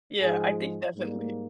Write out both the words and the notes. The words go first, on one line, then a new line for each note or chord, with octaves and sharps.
Yeah, I think definitely.
G#2 F3 G#3 G#4
G#2 G3 A#3